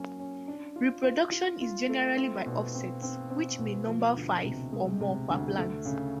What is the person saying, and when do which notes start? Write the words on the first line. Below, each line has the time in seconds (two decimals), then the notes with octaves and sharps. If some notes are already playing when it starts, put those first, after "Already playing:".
Reproduction is generally by offsets, which may number five or more per plant.
Already playing: F#3 A#3 C#4
0.19 C#4
0.48 D4
0.76 F4
1.04 F4
1.32 F4
1.61 F4
1.89 A3
2.17 C4
2.46 B2
2.74 C4
3.03 C4
3.30 C4
3.59 B2
3.87 F3
4.15 D2
4.44 C3
4.72 G#3
5.01 C3
5.30 D2
5.58 A3
5.85 C#3